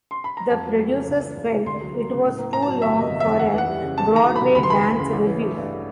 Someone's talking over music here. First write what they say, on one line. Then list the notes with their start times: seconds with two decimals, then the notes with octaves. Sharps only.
The producers felt it was too long for a Broadway dance review.
0.11 C6
0.24 B5
0.37 A#5
0.50 F2 A5
0.65 F#3
0.79 F2
0.93 C#3
1.09 C#2
1.23 E3
1.37 C#2
1.51 C3
1.66 D2 C6
1.81 F#3
1.94 A#3
2.09 C#3
2.24 A2
2.39 A#3
2.53 A2 A#5
2.62 F#3 A5
2.82 G1 E5
2.96 C3 D#5
3.10 G1
3.20 F2 E5
3.39 D#2 F#5
3.54 E3 F#5
3.68 G3
3.82 C#3
3.98 E2 A5
4.11 D#3 A#5
4.27 F#3
4.36 C3 B5
4.55 D2 B5
4.63 C6
4.70 E3 B5
4.85 D2
4.99 C#3
5.13 A1
5.27 E3
5.42 A3
5.56 G2